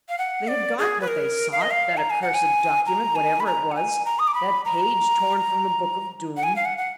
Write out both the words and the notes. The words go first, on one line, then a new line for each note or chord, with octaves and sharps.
They had got what they sought, that accursed document, whatever it was, that page torn from the Book of Doom.
F5
F#5
D5
G#4
B4
A#4
F5
D#5
F5
A#5
G#5
F#5
G#5
A#5
G#5
B5
A#5
F#5
G#5
A#5
D#6
D6
B5
A#5
F#5
G#5
F5
F#5
F#5